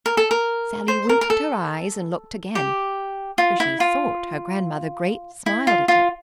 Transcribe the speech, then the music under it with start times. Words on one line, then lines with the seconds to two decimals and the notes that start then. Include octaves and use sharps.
Sallie winked her eyes and looked again, for she thought her Grandmother Great smiled at her.
0.06 A#4
0.17 A4
0.31 A#4
0.88 C5
1.09 A#4
1.21 A#4
1.30 A4
2.55 G4
3.38 F4
3.60 E4
3.80 F4
5.46 E4
5.67 F4
5.88 F4